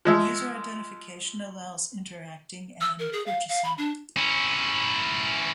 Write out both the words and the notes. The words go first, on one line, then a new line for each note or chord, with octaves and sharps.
User identification allows interacting and purchasing.
F3 G#3 E5
E6
A#4
G#4
F5
F5
B5
D4
C#4 E4